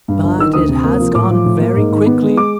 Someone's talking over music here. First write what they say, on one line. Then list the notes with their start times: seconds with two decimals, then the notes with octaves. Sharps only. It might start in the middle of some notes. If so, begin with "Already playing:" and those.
"But it has gone very quickly."
0.08 G2
0.23 G1
0.39 D#3 E6
0.53 D2 D#6
0.69 C3
0.84 A#3
1.00 F3
1.15 A2 D6
1.31 F3
1.45 A2
1.61 A#3
1.76 G#2
1.91 D#3
2.06 B3
2.22 G#3
2.37 D6